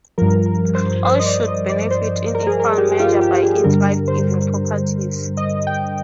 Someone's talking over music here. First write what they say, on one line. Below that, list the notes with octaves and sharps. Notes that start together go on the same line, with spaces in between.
All should benefit in equal measure by its life-giving properties.
G2 F3 A#4
A#4
C5
C5
D#5
D5
D#5
D5
C5
A#4
G#4
A#4
G4
G4
F4
G4
G#4
G2 D3 G3 A#4
C5
D#5
G5